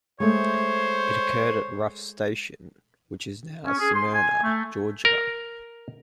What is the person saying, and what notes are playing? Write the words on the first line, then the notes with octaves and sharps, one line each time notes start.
It occurred at Ruff's Station, which is now Smyrna, Georgia.
G#3 A3 C5 C#5
C#4
G#4
C6
G#5
A3
A#4